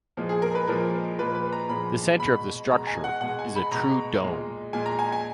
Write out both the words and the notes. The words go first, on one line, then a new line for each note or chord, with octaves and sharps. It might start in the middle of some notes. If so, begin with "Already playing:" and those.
The center of the structure is a true dome.
A#2 F3 G#3
G#4
A#4
B4
A#2 F3 G#3 A#4
A#2 F3 G#3 B4
B4
A#5
A#2 F3 G#3 B5
B2 G#3 B5
B2 G#3 A#5
G#5
F#5
B2 G#3 F#5
G#5
B5
B2 G#3 A#5
A#2 G#3
A#2 G#3 G#5
A#5
G#5
G#5